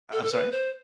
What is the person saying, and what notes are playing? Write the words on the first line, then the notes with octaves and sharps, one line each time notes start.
I'm sorry?
A4
A4
B4
C5